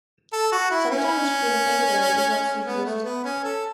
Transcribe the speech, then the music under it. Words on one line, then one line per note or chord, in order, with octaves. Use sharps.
Sometimes green paper is also used.
A4
F#4
E4
C#4
B3
A3
B3
C#4
A4